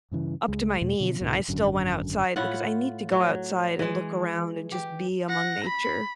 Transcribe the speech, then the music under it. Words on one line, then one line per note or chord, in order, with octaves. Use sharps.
up to my knees, and I still went outside because I need to go outside and look around and just be among nature.
G2 C#3 E3
C#2 G#3
E2 B2 A3
B2 D3 F3
C2 G#2 B2 D3
G#1 F#2 D3
A2 E4 F4 F#5
F#3
E3 G#3
G4
F#5 A#6
B5